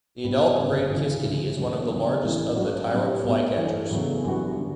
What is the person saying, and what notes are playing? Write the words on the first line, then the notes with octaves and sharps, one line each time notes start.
The adult great kiskadee is one of the largest of the tyrant flycatchers.
B1 B2 G3 B3 D4
G1 F#2 C#3
D2 C#3 E3
D2 C#3 E3 A3
E2 D3 F#3 A3 C#4
E2 C#3 G3
A1 A2 E3 A3 E4
G2 F#3 C#4 F#4
A2 G3 C#4 G4
B1 B2 A3
G2 E3 A3
E2 C#3 F#3 A3 D4
F#2 E3 G3 B3 F#4
D3